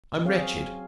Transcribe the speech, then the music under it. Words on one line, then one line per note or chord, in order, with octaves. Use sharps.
I'm wretched.
F#3 C4 C#4 G#4 C#5 F5